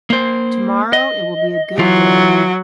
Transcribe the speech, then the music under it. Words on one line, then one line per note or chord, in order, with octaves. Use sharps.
Tomorrow, it will be a good day.
A#3 C5
D#5
E3 F#3 F4